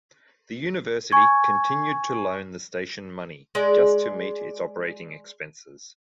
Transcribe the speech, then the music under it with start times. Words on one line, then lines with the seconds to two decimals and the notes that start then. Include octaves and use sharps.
The University continued to loan the station money just to meet its operating expenses.
1.12 G#5 C#6 G#6
3.55 G#3 D5